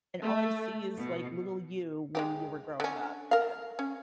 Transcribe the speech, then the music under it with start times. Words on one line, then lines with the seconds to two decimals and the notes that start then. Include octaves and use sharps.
and all I see is, like, little you when you were growing up, and
0.22 A3
0.96 B2
2.15 G#3 D#4 G4
2.80 D3 C#4
3.31 A#4 F5
3.79 C#4